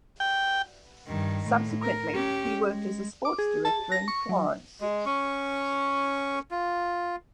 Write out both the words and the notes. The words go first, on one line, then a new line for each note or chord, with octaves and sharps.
Subsequently he worked as a sports director in Florence.
G5
G2 D#3
A2
A#4
C#4 G4
G#3
D6
G#4
A5
A#6
C#6
F#3
G#3
C#4 C#6
F4